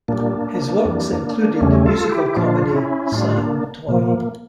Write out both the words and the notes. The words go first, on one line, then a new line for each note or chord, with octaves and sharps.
His works included the musical comedy San Toy.
A#2 G3 A#3 D4
F2 E3 G3
E2 C#3 G3 A3 C#4
F4 A4
E4 G4
E4
A#2 F3 D4 F4
C#4 E4
A2 G3 D4 F4
A#3 D4
A#2 F3 A#3